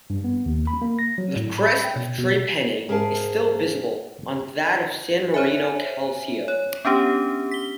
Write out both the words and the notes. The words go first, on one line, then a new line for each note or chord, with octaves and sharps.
The crest of Tre Penne is still visible on that of San Marino Calcio.
G2
B3
D#2
B5
A#3
A#6
F#3
A2
B5
G5
B2
B2
G#2 G#4 A#4 E5 F5 A5
C5 C#5 E5 G#5
C#5
B3 C#4 D4 G4
B6 G7